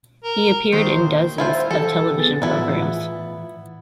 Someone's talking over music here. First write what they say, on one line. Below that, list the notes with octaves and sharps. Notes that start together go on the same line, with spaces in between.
He appeared in dozens of television programs.
A#4
D#2 C5
E4 F4 C5
E3 G4 A4
B3 G#4 A6
A2 E3 B3 E4 F4